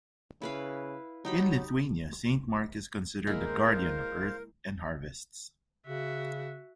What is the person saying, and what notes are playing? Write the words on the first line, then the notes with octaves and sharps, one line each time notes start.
In Lithuania, Saint Mark is considered the guardian of earth and harvests.
C#3 E4 B4 F5
F#3 D#4 G4 B5
G#3 A#3 E4 A#4
C5 F5
C#3 F#4 E5